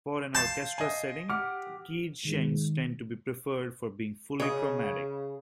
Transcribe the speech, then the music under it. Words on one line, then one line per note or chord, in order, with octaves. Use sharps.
For an orchestra setting, keyed shengs tend to be preferred for being fully chromatic.
F5 A5 C6 G6
D#5 G#5
G4 F#5 D6 F6
G#2 D#3
C#3 G#4 C#5 D#5